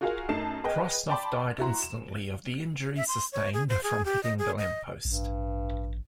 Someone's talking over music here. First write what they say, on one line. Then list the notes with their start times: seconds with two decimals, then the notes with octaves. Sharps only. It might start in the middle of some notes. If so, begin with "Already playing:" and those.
Krosnoff died instantly of the injuries sustained from hitting the lamp post.
0.01 F4 F#4 G#4 A#4 F5
0.29 F#2 A3 D#4 A5 C7 E7
0.64 G#4 B4 D#5 G5
1.09 D5 G5 A5 B5 C6 D6
1.59 E4 F#4 A#5 C6
1.82 E7
2.96 E5
3.08 C6
3.32 C#5
3.54 G#4
3.69 C5
3.83 G#4
4.05 G4
4.23 D#5
4.39 G#4
4.58 D#5
5.05 A1 G2